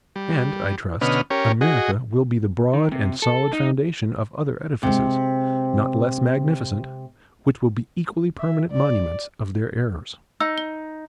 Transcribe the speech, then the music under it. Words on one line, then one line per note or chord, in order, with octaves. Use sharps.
And, I trust, America will be the broad and solid foundation of other edifices, not less magnificent, which will be equally permanent monuments of their errors.
G3
B2 D3 C#4 B4 D#5 F6
C#4 G4 A#4 C#5
F#4 G#4 D#5
D#3
C3
A4
D#4
C3 G#3
E5
D5
D#4 E6
G7